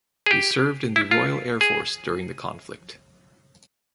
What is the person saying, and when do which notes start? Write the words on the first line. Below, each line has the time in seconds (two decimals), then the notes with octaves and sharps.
He served in the Royal Air Force during the conflict.
0.26 G#4
0.31 G4
0.96 E4
1.11 F4
1.61 G#4